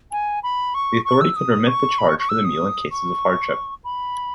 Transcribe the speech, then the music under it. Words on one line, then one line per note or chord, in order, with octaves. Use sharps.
The authority could remit the charge for the meal in cases of hardship.
G#5
B5
C#6
C#6
E6
D#6
C#6
B5
C#6
C#6
E6
D#6
C#6
B5